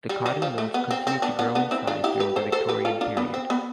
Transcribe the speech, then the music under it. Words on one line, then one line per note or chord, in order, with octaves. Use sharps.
The cotton mills continued to grow in size during the Victorian period.
G3
G3
F3
A3
B3
C4
C4
B3 D4
B3 D4
B3 D4
C4 E4
D4 F4
E4 G4
G4 B4
A4 C5
A4 C5
G4 B4
F4 A4
D4 F4
B3 D4
C4
B3